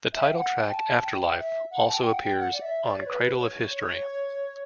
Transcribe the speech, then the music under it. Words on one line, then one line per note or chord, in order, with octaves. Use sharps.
The title track, "Afterlife", also appears on "Cradle of History".
E5
G5
F#5
G5
A5
A5
G5
E5
F#5
A5
G5
F#5
G5
F#5
D5
E5
D5
C#5
B4
C#5